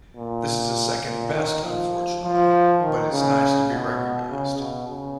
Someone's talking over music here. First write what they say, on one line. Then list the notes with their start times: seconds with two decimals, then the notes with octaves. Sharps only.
This is a second best unfortunately, but it's nice to be recognised.
0.16 A#2
1.04 A#2
1.34 D#3
1.64 F3
2.23 F3
2.82 D#3
3.11 C#3
3.70 B2
4.30 C#3
4.58 B2
4.89 C#3